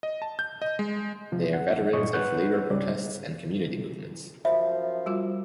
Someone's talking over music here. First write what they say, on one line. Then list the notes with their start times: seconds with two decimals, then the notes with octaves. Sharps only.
They are veterans of labour protests and community movements.
0.03 D#5
0.22 A5
0.39 G6
0.62 D#5
0.79 G#3
1.32 C3 F3
1.54 F#5
1.93 G2 A#2 G#4 C#5 D#5 C#6
2.13 G#4 B4 C#5 F#5 F#6 G6
2.70 C2 C#3 G3 D5
4.45 F#2 F3 E5 B5
5.06 G3 F4 F#4